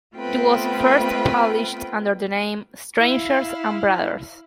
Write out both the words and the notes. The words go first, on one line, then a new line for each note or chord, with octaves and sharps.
It was first published under the name "Strangers and Brothers".
A3 B3 C4 F4 B4 G5
E4 F5